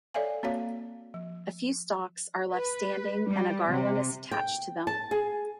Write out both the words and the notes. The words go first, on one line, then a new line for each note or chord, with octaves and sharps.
A few stalks are left standing and a garland is attached to them.
A4 C#5 D5 E5 F5 G#5
A#3 C4 F#4 C#5 F5
F3
B4
G3
C3
G5
A5
G#4